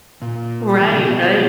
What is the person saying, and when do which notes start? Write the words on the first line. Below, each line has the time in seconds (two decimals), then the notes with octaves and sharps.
Right, right.
0.22 A#2
0.80 F3
0.89 D#3
0.96 C#3
1.04 B2